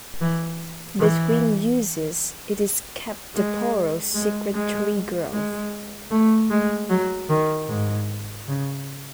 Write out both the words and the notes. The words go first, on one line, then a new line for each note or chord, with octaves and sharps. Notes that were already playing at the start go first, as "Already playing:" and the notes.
Between uses it is kept the Poro's secret tree grove.
E3
E3
G#3
G#3
G#3
G#3
A3
G#3
F#3
D#3
G#2
C#3